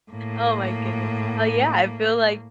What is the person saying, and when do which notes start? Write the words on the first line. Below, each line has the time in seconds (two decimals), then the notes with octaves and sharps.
Oh my goodness. Uh, yeah, I feel, like
0.12 A2 A#3